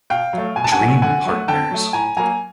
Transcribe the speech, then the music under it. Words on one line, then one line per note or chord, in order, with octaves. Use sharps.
Dream Partners.
B2 F5 G5
F#3 A3
B2 G#5
A5
F#5 G#5
F#3 A3
D3 F#5 G#5
F#3 A3
D3 G5 A5
F#3 A3
A2 G#5 A#5
F#3 A#3 G#5 A#5